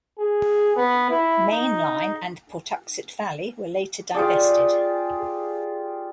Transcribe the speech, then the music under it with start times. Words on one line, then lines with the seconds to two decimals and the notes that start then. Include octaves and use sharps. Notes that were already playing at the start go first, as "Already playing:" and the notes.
Maine Line and Pawtuxet Valley were later divested.
0.19 G#4
0.76 B3
1.10 E4
1.53 D#4
4.14 F4 G4 G#4 D5